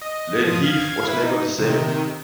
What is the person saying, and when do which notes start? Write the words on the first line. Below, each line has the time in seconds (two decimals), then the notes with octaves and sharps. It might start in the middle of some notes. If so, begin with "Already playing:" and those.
Lady Heath was never the same.
0.02 D#5
0.44 F3 D#6
0.64 F5 G#6
1.08 E4 B4
1.22 D#4
1.59 C3 D#3